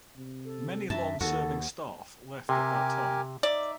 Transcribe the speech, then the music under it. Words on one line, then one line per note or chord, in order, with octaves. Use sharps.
Many long-serving staff left at that time.
C3
A4
F#2 E5 A5
D#2 D#3 F#4 A4
C3 G4 A#4 G#5
D#4 D5 E5